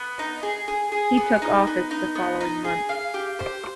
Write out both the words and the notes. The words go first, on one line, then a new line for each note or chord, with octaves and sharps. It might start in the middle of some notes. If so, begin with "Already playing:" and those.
He took office the following month.
Already playing: B3
D#4
G#4
G#4
G#4
B3
D#4
B3
D#4
B3
D#4
G#4
F5
G4
C5